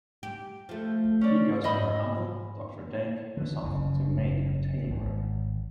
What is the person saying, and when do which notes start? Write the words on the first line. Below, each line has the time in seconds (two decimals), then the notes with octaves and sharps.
She goes to her uncle, Doctor Dake, for something to make her tail grow.
0.23 G4
0.69 F3 A3
1.21 C#4 D5
1.64 G#2 D#5 E5 B5
3.37 D3 E3
3.63 F#1 C#3
4.90 G#1